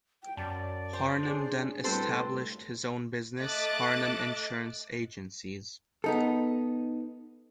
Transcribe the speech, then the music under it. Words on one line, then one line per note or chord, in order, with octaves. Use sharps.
Harnum then established his own business Harnum Insurance Agencies.
G5
F#2 D5 A5
C5
C#4 D4 G#4
A2 G3 C4 F#4 A4 B4 C5
A3 D#5 E5 D6 F#6 A6
B3 D#4 A4